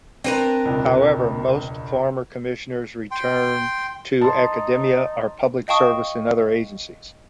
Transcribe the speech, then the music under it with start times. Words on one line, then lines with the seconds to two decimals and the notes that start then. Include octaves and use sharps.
However, most former commissioners return to academia or public service in other agencies.
0.24 C4 D4 A#4 B4 A#5
0.65 E1 C#2
3.11 G5 C6
4.21 D#4 A5 C6
5.68 D#5 F5 G5 A5 C#6 D#6